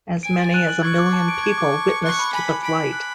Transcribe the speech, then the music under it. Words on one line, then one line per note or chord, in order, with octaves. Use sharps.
As many as a million people witnessed the flight.
G#5 D7
A6
F#6
F#7
C#6 G#6
D6
A5
D7
G#6
D6
A5
C#7
C#6 F#6
B5
G#5 B5
B6
B5 D7
B6
F#6